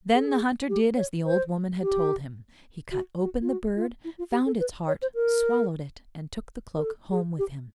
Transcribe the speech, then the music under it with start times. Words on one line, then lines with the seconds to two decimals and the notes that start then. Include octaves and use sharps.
Then the Hunter did as the old woman had told him: he cut open the bird, found its heart, swallowed it, and took the cloak home with him.
0.14 G#4
0.21 A4
0.27 G#4
0.69 G4
0.96 C#5
1.25 C5
1.81 G4
2.91 F#4
3.20 F#4
3.42 F4
3.48 F#4
3.76 F4
4.04 E4
4.18 F4
4.31 G4
4.46 A4
4.59 B4
4.88 C#5
5.02 C5
5.15 A#4
6.76 A#4
6.82 A4
7.11 G#4
7.39 G4